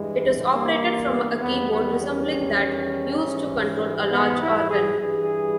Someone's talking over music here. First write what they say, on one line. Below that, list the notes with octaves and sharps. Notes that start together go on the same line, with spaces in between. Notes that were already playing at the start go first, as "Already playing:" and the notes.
It is operated from a keyboard resembling that used to control a large organ.
Already playing: G2 E3 G3 G#3
A#3
E2 D#3 G3 B3
B3
C#4
G#2 E3 G3
B3
E4
G#4
G2 E3 G3 G#4